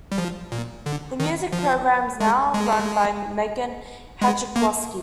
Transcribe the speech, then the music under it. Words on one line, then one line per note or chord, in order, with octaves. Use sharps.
The music program is now run by Meghan Hachkowski.
G3
F3
A#2
D3
D#3
F3
G#3
G#3
G#3
A#3